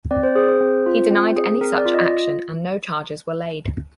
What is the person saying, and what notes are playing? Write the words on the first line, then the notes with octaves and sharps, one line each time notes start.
He denied any such action and no charges were laid.
C4 D5
C5
G#4 C5
C5
C4
F4
C4
G#4
C4 A#4
D5
F4
D#5